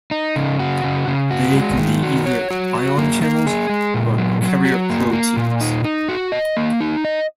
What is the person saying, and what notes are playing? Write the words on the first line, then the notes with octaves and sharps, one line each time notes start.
They can be either ion channels or carrier proteins.
D#4
C#3
F#4
C#3
C#3
F#4
G#3
D#3
F#4
C#5
F#4
F#3
A#3
A#3
G#4
G#3
A#2
F#3
F#3
F#4
A#3
A#3
A#2
D#4
D#4
F#4
D#5
A#3
D#4
D#5